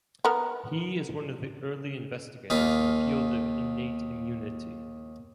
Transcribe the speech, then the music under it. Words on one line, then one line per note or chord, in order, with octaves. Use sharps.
He is one of the early investigators in the field of innate immunity.
B3 A#4
D#2 D#4 F4 B5